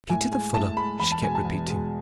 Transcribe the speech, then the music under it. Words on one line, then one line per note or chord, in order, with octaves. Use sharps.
"Peter the fuller!" she kept repeating.
A2 G#5
G#3 G#5
A2 A5
G#3 B5
E2 B5
A5
B2 G#3 G#5
A5
E2
B2 G#3